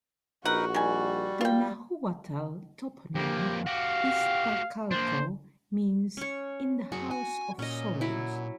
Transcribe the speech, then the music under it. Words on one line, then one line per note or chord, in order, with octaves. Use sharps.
The Nahuatl toponym "Iztacalco" means "in the house of salt".
A#1 D#4 F#4 A#4 B4 F#5
D#3 G3 G#5
F4 G5
F2 A#3 G4
F#4 G4 F5
A#3 D4 C5
C#4 C#5
F#2 F#4 G#4
F#4 G#5
A#2 C#4 D#5
F#3 E4